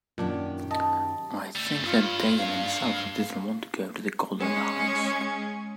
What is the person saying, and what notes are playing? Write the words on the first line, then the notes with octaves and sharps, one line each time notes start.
I think that Dayan himself didn't want to go to the Golan Heights.
F#2 A#2 D#3 D4 G4
D#5 A5
G3 A3
G2 F4
F5
G#3 C#4